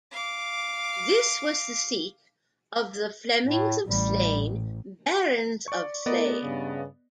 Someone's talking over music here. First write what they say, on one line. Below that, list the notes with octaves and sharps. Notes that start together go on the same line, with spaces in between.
This was the seat of the Flemings of Slane, barons of Slane.
F5 D6
A2
A1 G3
D5 C#6
A2 B3 A#4 D5 D#5
G2 C#3